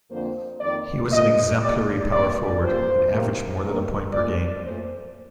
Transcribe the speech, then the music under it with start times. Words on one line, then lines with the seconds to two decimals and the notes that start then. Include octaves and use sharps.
He was an exemplary power forward, and averaged more than a point per game.
0.11 F2 D3 F3 A#3 C5
0.61 F2 D#3 A#3 D5
1.11 A#2 F3 A#3 D#5
1.61 A#2 G3 A#3 D5
2.12 C3 G3 A#3 D5
2.61 G2 F3 A#3 C5
3.12 C3 D#3 A#3
3.62 G2 D#3 A#3 A#4
4.12 A#2 F3 A3 D5
4.62 A#2 A3 C5